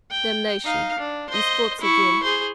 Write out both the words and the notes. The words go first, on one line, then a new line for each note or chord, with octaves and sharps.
Damnation, these thoughts again!
G5
D#4 F5
D4
C5 D#5
E4 C#6
G#4 C5